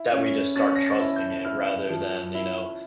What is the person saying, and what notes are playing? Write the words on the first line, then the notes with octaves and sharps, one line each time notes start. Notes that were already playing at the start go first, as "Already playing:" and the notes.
that we just start trusting it, rather than, you know
Already playing: E4
C#4
C#4 A6
A#6
A6
E4
G6
E4 F6
F3
E4